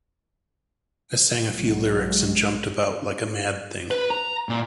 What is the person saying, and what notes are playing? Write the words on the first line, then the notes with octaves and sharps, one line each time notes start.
I sang a few lyrics and jumped about like a mad thing.
B1 F#3 G#3
B4
A#5
A#2